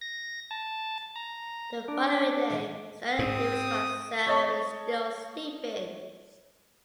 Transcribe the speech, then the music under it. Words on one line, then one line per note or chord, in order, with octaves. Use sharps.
The following day Stella leaves while Sarah is still sleeping.
A#6
A5
A#5
D4
G#2 C4 D#6
C#5 D#5 A5 C#6